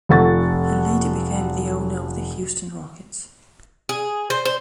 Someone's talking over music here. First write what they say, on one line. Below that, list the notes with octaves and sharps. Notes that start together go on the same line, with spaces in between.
He later became the owner of the Houston Rockets.
F1 F4 A4 F#5 C#6 A6
G#4
C5
C5